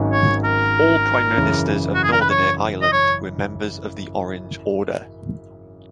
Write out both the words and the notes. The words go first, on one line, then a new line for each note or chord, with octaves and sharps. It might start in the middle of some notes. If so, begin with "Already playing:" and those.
All Prime Ministers of Northern Ireland were members of the Orange Order.
Already playing: G#1 G#2 D#3 F#3 C#4
C#5
A#4
F#2 C#3 E3
F#4
G#4
A#4
B4
C#5
D#5
C#5